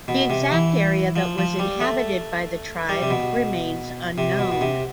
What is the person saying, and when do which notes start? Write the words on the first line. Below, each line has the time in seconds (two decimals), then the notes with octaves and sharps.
The exact area that was inhabited by the tribe remains unknown.
0.08 B2
0.30 C3
0.52 E3
1.16 F3
1.38 F3
1.59 G3
1.81 A3
2.89 G3
3.02 C3
3.10 B2
4.18 C3
4.39 B2
4.51 B2
4.61 C3